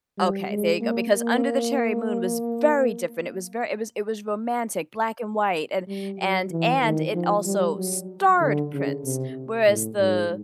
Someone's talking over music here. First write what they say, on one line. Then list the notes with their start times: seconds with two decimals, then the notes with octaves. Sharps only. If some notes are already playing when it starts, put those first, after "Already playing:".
Okay, there you go. Because Under the Cherry Moon was very different. It was very it was it was romantic, black and white and and and it also starred Prince. Whereas the
0.18 G3
0.49 G#3
0.81 A#3
1.13 A#3
5.88 G3
6.19 F#3
6.51 E3
6.82 D#3
7.14 F3
7.46 G3
7.77 F#3
8.41 D3
8.73 C#3
9.04 C3
9.67 A2
10.00 G#2